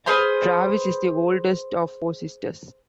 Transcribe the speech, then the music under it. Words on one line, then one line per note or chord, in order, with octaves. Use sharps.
Travis is the oldest of four sisters.
G#4 B4 C5 F6